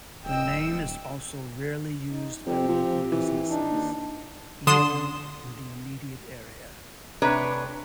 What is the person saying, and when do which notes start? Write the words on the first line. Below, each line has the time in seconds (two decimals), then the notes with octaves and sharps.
The name is also rarely used by local businesses, even in the immediate area.
0.25 D1 D#5 G5 E6
2.11 D#4
2.46 F2 C4 G4
2.68 F3
3.12 E3
3.49 D4 D#4
3.71 D#2
4.67 D3 C6 D#6 E7
7.22 C3 A3 D4 B4 C#5 A#5